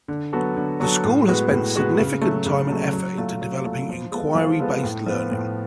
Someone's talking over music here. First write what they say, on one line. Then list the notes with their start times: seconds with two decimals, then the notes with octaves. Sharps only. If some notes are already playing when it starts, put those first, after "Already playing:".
The school has spent significant time and effort into developing Inquiry Based Learning.
0.08 D3
0.33 F#3 B3 F#4 A4
0.56 D3
0.80 F#3 B3 F#4 A4
1.04 A2
1.28 G#3 B3 F#4 B4
1.51 A2
1.75 G#3 B3 F#4 B4
1.99 C#3
2.22 F#3 A3
2.46 C#3
2.69 F#3 A3
2.93 F#3
3.18 A3 F4
3.41 F#3
3.65 A3 F4
3.89 F3
4.11 G#3 B3 F4 A4
4.35 F3
4.59 G#3 B3 F4 A4
4.83 A2
5.06 F3 B3
5.31 A2